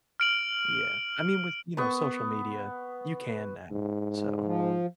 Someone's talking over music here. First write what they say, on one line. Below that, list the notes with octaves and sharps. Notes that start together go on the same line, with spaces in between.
Yeah. I mean, with, you know, social media, you can now, so
F6 D7 F#7
B3 C#6
G#2
F3